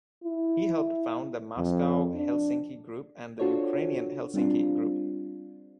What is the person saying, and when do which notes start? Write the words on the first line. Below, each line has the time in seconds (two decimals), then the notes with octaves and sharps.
He helped found the Moscow Helsinki Group and the Ukrainian Helsinki Group.
0.24 E4
1.57 F2
2.15 D4
3.39 D4 F4 F#4 A4 C5 C#5
4.34 G3 C4 D4 F4